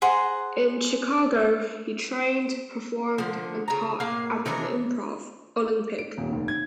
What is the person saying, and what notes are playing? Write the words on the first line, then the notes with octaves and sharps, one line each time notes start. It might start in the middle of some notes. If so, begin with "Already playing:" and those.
In Chicago, he trained, performed, and taught at the Improv Olympic.
G#4 C5 F#5 A#5
D3 F3
C#3 A#5
A2 A#3 F5
D#3 E3 D4 A#4
D7
D#1
F1
G#6